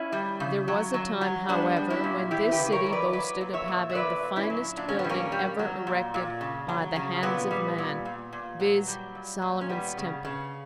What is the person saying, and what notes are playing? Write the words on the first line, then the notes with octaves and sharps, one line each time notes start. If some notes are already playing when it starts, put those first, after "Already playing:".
There was a time, however, when this city boasted of having the finest building ever erected by the hands of man, viz: Solomon's Temple.
Already playing: C#4 E4
G3
C#3
F#3
F#3
F#3
G3 B3 D4
G3
C#4 E4
A#2
E3 E4 G4
G4 B4
C#3
A#4 C#5
E3
B4 D5
F#3 B4 D5
A#2
C#5 E5
A#2
E5
A#2 B4 D5
A#2
C#4 E4
F#3
A#2 D4
C#4
B3
G3
A#3 C#4
G3
F#3
A#2
A#2
C#3
F#3
C#3
A#2 B3
G3
A#2
A#2
A#2
F#3
G3
A#2
A#2
C#4
G3 B3
C#3
C#3